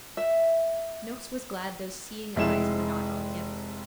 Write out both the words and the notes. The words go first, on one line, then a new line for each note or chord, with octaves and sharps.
Noakes was glad those seeing eyes were not on him.
E5
F1 G#3 E4 E7